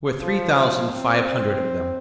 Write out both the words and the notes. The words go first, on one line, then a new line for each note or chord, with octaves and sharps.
There were three thousand five hundred of them.
F3
C4